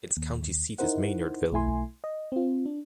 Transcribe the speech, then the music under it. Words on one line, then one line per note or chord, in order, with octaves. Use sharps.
Its county seat is Maynardville.
D#2
D#4 E4 A#4 C5 F#5
B1 A3 E4 G#5 C6
D#5
C4 F4
D4